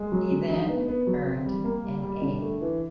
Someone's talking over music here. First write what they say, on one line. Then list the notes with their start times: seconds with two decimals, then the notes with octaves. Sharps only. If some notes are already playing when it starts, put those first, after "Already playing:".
He then earned an A.
Already playing: G#3
0.12 F#3
0.31 D3
0.50 D#4
0.69 B3
0.88 B3
1.07 F#3
1.26 C4
1.46 G3
1.64 A#3
1.84 G3
2.03 G3
2.22 D3
2.41 A3
2.61 E3